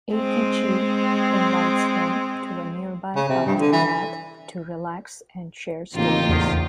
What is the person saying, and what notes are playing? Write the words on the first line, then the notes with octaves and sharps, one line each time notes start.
Eikichi invites him to a nearby public bath to relax and share stories.
G#3 C4
C#3
C3
G2
D3
E3
A1 C#3 A#3 C4 D#4 F4 G4
E2